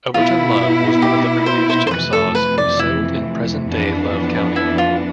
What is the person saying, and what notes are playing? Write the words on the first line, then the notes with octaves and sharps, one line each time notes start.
Overton Love was one of the earliest Chickasaws who settled in present-day Love County.
B2 B3 E4 F4
G4
C5
C5
C5
F2 C3 E3 A3 B4
A4
B4
D5
E4
F2 E3 B3 D4
E4
F4